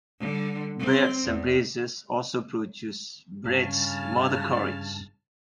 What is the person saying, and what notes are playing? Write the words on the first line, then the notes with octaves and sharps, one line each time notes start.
Belt and Braces also produced Brecht's "Mother Courage".
D3 G3
C4
E2
G2 C#3 A5 F6